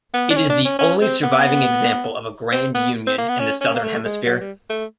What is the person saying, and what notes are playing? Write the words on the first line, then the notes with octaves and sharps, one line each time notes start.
It is the only surviving example of a grand union in the southern hemisphere.
B3
D4
C#4
D4
C#4
C#4
C4
B3
C4
B3
C4
A#3
B3
C#4
C#4
A#3
A3
G#3
F#3
G3
A3